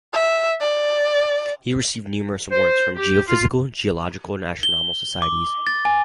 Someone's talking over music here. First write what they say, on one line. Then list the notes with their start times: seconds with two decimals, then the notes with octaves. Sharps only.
He received numerous awards from geophysical, geological and astronomical societies.
0.13 E5
0.61 D5
2.51 C5
2.95 G4
3.27 F4
4.63 G7
5.22 D6
5.67 A6
5.85 G#5